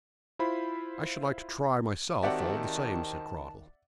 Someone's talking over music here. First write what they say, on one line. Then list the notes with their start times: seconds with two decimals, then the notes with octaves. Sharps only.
"I should like to try, myself, all the same," said Cradell.
0.39 E4 F4 C5 B5
2.23 D#3 C4 F#4 G4 D5 E5 F#5 A5